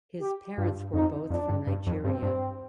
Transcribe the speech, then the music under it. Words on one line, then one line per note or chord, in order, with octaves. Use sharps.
His parents were both from Nigeria.
G4
G2 F4
F2 D#4
F2 D4
G2
G2
F2
G2 C4
G2